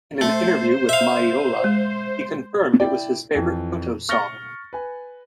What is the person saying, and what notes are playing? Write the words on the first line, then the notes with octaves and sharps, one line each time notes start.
In an interview with Maiola, he confirmed it was his favourite Koto song.
A3 C5
E5 F5
G#3
E4 D5 G5
F2 E3
C#6 F6 A6 A#6 C#7 G7
B4 G#5